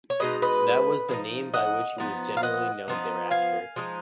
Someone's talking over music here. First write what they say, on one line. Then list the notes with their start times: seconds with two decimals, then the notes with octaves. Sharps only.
That was the name by which he was generally known thereafter.
0.10 C#5
0.20 B2 G#3 D#4 B4 D#5
0.42 B4 D#5
1.09 F3 G#3 D#4
1.54 D#5 F#5
1.98 F3 B3 D#4
2.37 F5
2.43 D#5 F#5
2.88 F3 B3 D#4
3.31 F5 G#5
3.76 F3 G#3 D#4